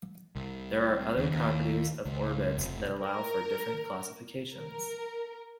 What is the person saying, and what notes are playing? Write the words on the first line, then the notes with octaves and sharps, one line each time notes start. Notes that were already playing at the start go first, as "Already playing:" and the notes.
There are other properties of orbits that allow for different classifications.
C2
D#2
D#2
C#2
F1
A#4
A#4